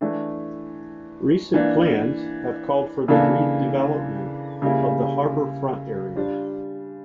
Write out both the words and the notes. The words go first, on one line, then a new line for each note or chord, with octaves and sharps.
Recent plans have called for the redevelopment of the harbor front area.
E3 A3 D4 A4
E3 A#3 D4
C#3 E3 A#3 D4 A4
C#3 G3 A#3 E4
G3 D4 F4